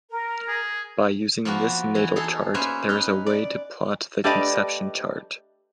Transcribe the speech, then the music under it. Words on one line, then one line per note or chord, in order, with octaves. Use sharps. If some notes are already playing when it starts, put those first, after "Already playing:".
By using this Natal chart there is a way to plot the Conception chart.
A#4
G#4
F3 A#3 B3 F#4
E3
D#4 G#4 A4
A#3 C#4 B4 C5 E5 G#5
D#4 B4
D5
A3 D4 G4 B4 D5 D#5